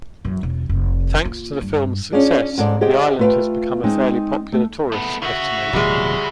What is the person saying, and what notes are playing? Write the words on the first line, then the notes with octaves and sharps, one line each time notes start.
Thanks to the film's success, the island has become a fairly popular tourist destination.
F#2 E3
E1
F1
A#3 F4
G2
C#4 D4 F4 G#4 D5
G#2 C4 A4 D5
G4 G#4 C5 D#5 F#5 G5
A3 F4 B4 E5 F5 G5
G#3 C4 D#4
A3
A3 B3
C#3 F#4 E5
D1 B2 F3 G3 G#3